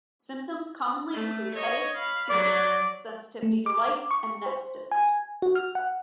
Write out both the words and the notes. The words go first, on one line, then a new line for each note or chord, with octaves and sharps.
Symptoms commonly include headache, fever, sensitivity to light, and neck stiffness.
A3
C#5 D#5
F5 B5
F#3 D5
A3
D6
C#6
C5
G#5
F#4
F6
F#5